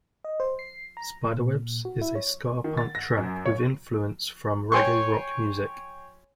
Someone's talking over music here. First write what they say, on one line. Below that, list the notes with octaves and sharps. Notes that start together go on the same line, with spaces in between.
"Spiderwebs" is a ska punk track with influence from reggae rock music.
D#5
C5
C7
A#5
A#2
F#4
E4
C#5
D#3
A6
A#6
F#2
C#5
C#5 G5 G#5 C6 C#6